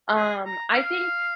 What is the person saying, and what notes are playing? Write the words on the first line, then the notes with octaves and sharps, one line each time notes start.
Um, I think
G#4
A#5
F5